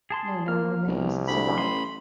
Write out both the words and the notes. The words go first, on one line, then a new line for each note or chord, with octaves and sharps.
No known remains survive.
G#4 A5 C6
A#3 F6
E1 C2
D2 B5
A1 C6